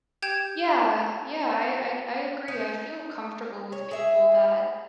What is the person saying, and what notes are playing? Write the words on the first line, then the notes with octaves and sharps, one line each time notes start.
Yeah, yeah, I I I ag I agree, I feel comfortable with people that
G4 G5 G6 G#6 E7
D#4
C#5
G#4 E5